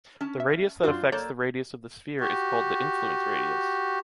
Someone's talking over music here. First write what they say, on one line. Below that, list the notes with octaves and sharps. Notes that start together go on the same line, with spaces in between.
The radius that affects the radius of the sphere is called the “influence radius”.
C#4 A5
E5
F#2 D4 F4 F#4 C5
A#3 A4 C#5 D5 G6
F#4 G4